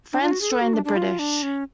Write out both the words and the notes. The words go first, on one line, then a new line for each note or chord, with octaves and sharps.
France joined the British.
D4
F4
F#4
G#4
A4
F#4
D4
D4
F4
D4
C#4